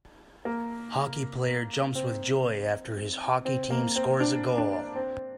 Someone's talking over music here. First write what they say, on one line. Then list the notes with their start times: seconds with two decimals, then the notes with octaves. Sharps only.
Hockey player jumps with joy after his hockey team scores a goal.
0.45 A#3
1.95 C4
3.45 C4
3.70 A#3
3.96 C4
4.20 D4
4.58 D4
4.96 C4